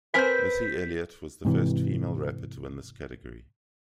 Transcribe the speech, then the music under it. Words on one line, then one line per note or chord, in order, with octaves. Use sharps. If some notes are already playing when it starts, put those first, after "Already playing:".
Missy Elliott was the first female rapper to win this category.
C4 A#4 B4 G#5 G6 B6
G#2 C3 E3